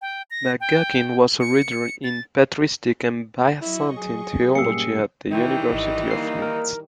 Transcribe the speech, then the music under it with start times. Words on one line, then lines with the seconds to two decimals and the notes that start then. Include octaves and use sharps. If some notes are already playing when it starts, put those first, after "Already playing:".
McGuckin was a Reader in Patristic and Byzantine theology at the University of Leeds.
0.02 G5
0.31 A#6
0.60 G5
1.40 C#7
2.04 A6
3.62 F#3 E4 D#5 C#6
3.97 G#4
4.55 G2 A#2 A#3 C#4 G4 E6 C7 C#7
5.32 D#3 E3 G3 E4 G5
5.72 G#1 E4 D#5
6.11 A#3 D#4 C7
6.42 A#4